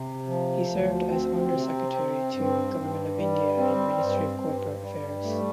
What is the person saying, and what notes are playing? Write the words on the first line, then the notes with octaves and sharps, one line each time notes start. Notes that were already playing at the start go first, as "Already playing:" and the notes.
He served as Under Secretary to Government of India in Ministry of Corporate Affairs.
Already playing: C3
F3
D2
C4
C3
C4
G2
G2
G3
C4
G2
G2
G3
A3